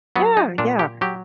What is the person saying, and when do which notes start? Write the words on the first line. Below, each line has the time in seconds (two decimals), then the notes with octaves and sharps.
Yeah, yeah,
0.16 F#3 B3
0.37 D#4
0.58 A#2 D4
0.79 G4
1.01 F#3 G4